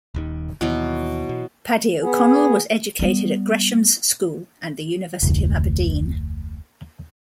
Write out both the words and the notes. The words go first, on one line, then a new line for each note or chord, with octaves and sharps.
Paddy O'Connell was educated at Gresham's School and the University of Aberdeen.
D#1 D#2 D#3
D#2 B2 E3 F#3
B2
B3 G#4
G3 B3
F1 D2